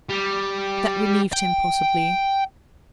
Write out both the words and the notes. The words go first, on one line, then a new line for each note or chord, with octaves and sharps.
That relieved him, possibly.
G3
G5